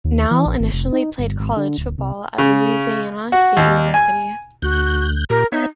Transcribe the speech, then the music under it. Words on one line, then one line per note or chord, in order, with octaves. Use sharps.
Nall initially played college football at Louisiana State University.
D#2
E3
A#1
G#1
F1
D#4
G1
G#1
D3
D1
C2
C#3
F#4
D#2
G#5
D2 F#4 F#6 G6
A#2 G4 A#4
B3 D#4 C#5 E5